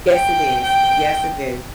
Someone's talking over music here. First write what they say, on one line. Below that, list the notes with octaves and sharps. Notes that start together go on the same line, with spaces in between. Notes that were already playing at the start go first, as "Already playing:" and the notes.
Yes, it is. Yes, it is.
G5
G5